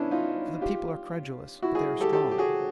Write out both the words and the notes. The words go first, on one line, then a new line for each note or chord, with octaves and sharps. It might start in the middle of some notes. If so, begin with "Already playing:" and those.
For the people are credulous, but they are strong.
Already playing: B3 C#4 D4 E4
D#4 F4
F4 G4
E4 F#4
F#4 G#4
G4 A4
G4 A4
G4
F#4 G#4